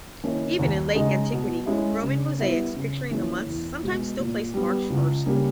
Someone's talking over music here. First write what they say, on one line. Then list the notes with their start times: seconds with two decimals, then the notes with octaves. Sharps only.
Even in late antiquity, Roman mosaics picturing the months sometimes still placed March first.
0.23 D#3 A#3 C#4 E4
0.59 D#2
0.95 C#3 G#3 D#4
1.31 B2
1.66 G#3 C#4 E4
2.02 C#3
2.38 G3 B3 E4
2.75 C#3
3.11 E3 A#3 C#4
3.46 E2
3.83 B2 G#3
4.19 A#2
4.54 G3 B3
4.90 C#2
5.26 C#3 G3 A#3